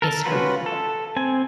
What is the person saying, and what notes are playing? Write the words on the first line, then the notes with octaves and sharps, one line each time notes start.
It's her fault.
A4 A#4
C#4 F4 F#4 B4
A4
C4 G#5